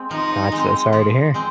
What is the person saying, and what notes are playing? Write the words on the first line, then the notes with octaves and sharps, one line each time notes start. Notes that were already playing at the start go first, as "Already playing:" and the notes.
Gotcha. Sorry to hear.
Already playing: G#3 C4
F3 D#4
G#3 C4
F3
G#3 C4